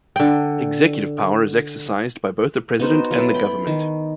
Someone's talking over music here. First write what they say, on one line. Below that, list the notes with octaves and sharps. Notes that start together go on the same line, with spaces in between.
Executive power is exercised by both the President and the Government.
D3 G5
B3 D#4 F#4 C5
F#3 B3 E4 A4
G5 B5
D#3